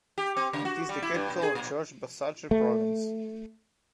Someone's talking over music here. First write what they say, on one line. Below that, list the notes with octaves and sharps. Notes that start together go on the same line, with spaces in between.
It is the capital of Jorge Basadre Province.
G4
C4
C#3
F#4
G3
E4
G2
B2
G#4
A#2
A3